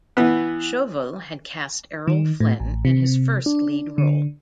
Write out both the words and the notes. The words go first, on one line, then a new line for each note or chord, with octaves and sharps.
Chauvel had cast Errol Flynn in his first lead role.
E3 B3
D#3
A2
A1
C3
D4
D3